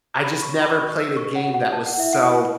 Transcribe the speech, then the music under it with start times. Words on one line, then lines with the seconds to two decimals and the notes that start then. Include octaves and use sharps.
I just never played a game that was so
0.23 C#5 B5
0.42 C#6
0.49 C#5
0.61 B5
0.74 F#4
0.80 C#6
0.98 B4 E6
1.17 C#6
1.23 B4
1.35 F#5
1.48 F#4
1.54 F#5
1.72 B4 A5
1.86 F#5
1.97 E4 E5
2.13 F#5
2.22 E4